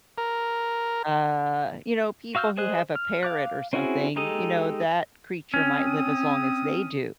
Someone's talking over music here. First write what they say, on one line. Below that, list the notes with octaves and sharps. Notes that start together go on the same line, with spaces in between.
Uh, you know, people who have a parrot or something, you know, that creature might live as long as they do,
A#4
F#4 F5 E6 F6 G6
G#4 C5 D#5 F#6
F6
F5 D6 F#6
C4 C#4 E4 F#4 G#4
G#3 D#4 G4 A4 D#6
C4 C#4 D#6